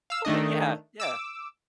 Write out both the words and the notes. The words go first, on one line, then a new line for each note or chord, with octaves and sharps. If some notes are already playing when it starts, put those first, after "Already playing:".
Okay, yeah, yeah.
F5 E6
D#3 A3 D4 D#5
D6 E6